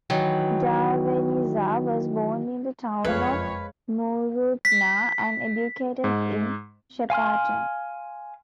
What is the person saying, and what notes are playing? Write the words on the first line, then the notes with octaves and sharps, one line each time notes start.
Darveniza was born in the town of Mooroopna and educated in Shepparton.
D#3 E3 F#3
F#1 F2 F3 G#3 B4 C#5 F5
B6
G#2
F5 G#5 C6 F6